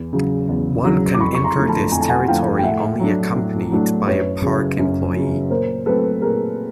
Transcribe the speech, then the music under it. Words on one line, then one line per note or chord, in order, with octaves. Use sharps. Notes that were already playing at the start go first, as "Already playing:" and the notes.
One can enter this territory only accompanied by a park employee.
Already playing: E2
C#3 F#3
E2
C#3 F#3
D6
F2 B5 C#6
C#6
A#5 C6
D3 F3 A3
A5 B5
F2 G#5
A5
F#5 G#5
D3 F3 A3 F5 G5
G5
A2 E5 F#5
F#3 A3 D4
A2
F#3 A3 D4
F#2 B4 C#5
C#3 F#3
F#2
C#3 F#3
A#2 A#4 C5
F#3 A3 C4 A4 B4
A#2 G#4 A#4